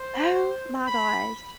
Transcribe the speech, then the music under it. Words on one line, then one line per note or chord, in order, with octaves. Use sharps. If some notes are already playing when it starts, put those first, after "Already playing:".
Oh my gosh.
Already playing: C5
B5